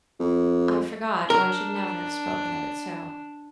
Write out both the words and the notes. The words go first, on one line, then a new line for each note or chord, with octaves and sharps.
I forgot, or I should never have spoken of it so.
F2
D4 A#4